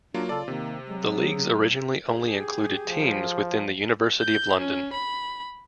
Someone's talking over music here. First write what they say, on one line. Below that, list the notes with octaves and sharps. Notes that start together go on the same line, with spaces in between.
The leagues originally only included teams within the University of London.
F#3 A#3 D4 F4
C#3 F4 A4 D5
C3 D#3 A#3
F#3 G#3
G#4
G4 G#4
F3
G6
C#4
B5